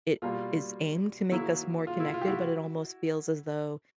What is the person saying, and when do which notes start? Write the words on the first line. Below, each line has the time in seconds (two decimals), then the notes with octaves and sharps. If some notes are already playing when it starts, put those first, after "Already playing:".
it is aimed to make us more connected, but it almost feels as though
0.22 B2 G3 A#3 F4
1.32 D#3 F#3 A#3 E4
1.87 F4
2.00 E4
2.14 F4
2.21 G4
2.27 E4 F#4